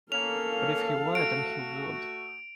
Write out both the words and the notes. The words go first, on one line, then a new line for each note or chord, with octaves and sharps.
But if he were, then he would.
A#3 C#4 A4 F5 F7
A3 F#4 D7